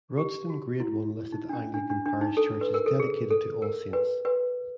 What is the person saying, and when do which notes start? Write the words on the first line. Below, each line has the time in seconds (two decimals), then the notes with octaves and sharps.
Rudston Grade One listed Anglican parish church is dedicated to All Saints.
0.17 G4
0.49 F#4
0.80 E4
1.32 D#4
1.49 D4
1.53 C#4
1.74 D4
1.90 D4
2.05 D4
2.21 D#4
2.37 A4
2.61 B4
2.74 A#4
2.86 A4
3.00 G#4
3.31 A4
3.62 A#4
3.93 B4
4.25 B4